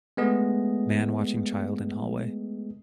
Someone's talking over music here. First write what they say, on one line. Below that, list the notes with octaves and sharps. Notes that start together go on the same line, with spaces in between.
Man watching child in hallway.
G#3 A3 B3 G#4 D#5